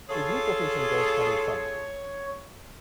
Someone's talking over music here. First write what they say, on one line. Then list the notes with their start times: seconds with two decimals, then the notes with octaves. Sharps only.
A group of Asian girls having fun.
0.10 F4 G#4 A4 C#5